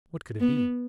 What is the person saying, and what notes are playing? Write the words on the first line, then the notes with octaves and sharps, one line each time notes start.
What could it be?
B3